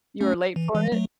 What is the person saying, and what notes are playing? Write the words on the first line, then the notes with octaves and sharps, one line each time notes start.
You were late for it?
A3 C#4
E3
E3 G#3
F#3 A3